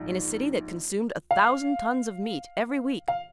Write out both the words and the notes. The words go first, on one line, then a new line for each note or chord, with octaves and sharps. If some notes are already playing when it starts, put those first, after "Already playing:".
In a city that consumed a thousand tons of meat every week!
Already playing: A#1 G#2
F5
F5